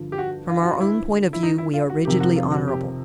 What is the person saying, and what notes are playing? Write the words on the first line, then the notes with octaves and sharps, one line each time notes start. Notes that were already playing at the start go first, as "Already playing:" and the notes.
From our own point of view we are rigidly honourable.
Already playing: G2 D3 F3
G4
F#4
F4
F#4
F4
E4
E4
D#4
E4
F4
F#4
F2 C3 D#3 G4
F#4
F4
F#4
G4